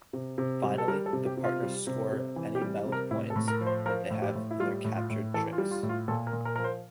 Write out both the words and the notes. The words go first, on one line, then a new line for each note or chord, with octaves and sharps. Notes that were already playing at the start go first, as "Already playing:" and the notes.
Finally, the partners score any meld points that they have in their captured tricks.
C3
C3
G3
A4
G3 A#4
A4
C3
G4
C3
F4
G3
C3
C3
E3
G4
G3
C3
A#4
A2 E4
A4
A2
A#4
F3
C5
F3 A#4
A2
G4
A2
E4
G3 F4
A2
F4
A2
E3 A4
F4
G3
F4
A2
F4
A#2 A4
A#4
A#2
A#4
F3 A#4
C5